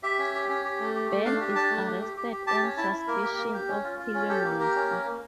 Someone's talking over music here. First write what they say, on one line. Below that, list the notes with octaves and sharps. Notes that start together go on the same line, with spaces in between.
Ben is arrested on suspicion of killing Lucy.
G4 E5
C#4
G4
C#4
G4
A3
G4
A3
D4 F5
G4
D4 A5
A3
G4
G4
G4
G4
G4 A5
C#4
E4 A5
E4
A#3 A#4
G4
A#3
G4
C#4
F4
F4
C#4
G4 A4
A#3
G4 A#4
C#4
A#3
A#3